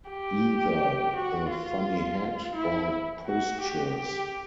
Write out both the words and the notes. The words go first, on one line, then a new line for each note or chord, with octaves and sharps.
Either the funny hat, or postures.
G4
F#4
F4
E4
F#4
G4
G4